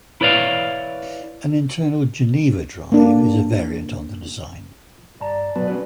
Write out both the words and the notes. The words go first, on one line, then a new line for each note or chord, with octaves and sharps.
An internal Geneva drive is a variant on the design.
E4 B4 C#5 D5 F5
A#3 D4
G2 D5 A5 A#5
B1 F#3 B3 A5
C#4 F#4 B4